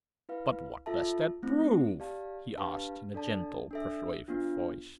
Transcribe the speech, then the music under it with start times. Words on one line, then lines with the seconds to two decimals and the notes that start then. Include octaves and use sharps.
"But what does that prove?" he asked, in a gentle, persuasive voice.
0.29 E4 B4 F5
0.86 F4 A4 E5 A5
1.43 A3 C4 E4
2.00 G4 D5 F5 A5
2.56 D4 G4 B4 F5 A5
3.14 D4 A4 D5 A5
3.71 D4 A4 E5
4.28 B3 D4 F4